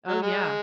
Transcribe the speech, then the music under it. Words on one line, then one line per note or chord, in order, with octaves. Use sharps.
Oh, yeah.
F#3
G#3